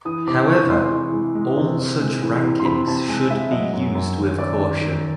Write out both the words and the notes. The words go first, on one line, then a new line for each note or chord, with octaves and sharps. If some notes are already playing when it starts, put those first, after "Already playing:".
However, all such rankings should be used with caution.
E3 D#6
C3 D6
E3 C#6
G#3 C6
E3
G#3
G#3
C3
C3
G#3
E3
C3
C6
C3 B5
C3 A5
G#3 G#5
G#3 E5
F#3 D#5
F#2
F#2
D#3
C#5
F#2 D5
D#3 D5
D#3